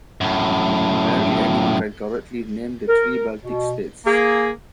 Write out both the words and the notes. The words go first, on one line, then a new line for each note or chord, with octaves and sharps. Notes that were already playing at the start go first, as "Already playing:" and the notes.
Barely anyone can correctly name the three Baltic states.
F#2 A2
A#4
B2
A#3 G#4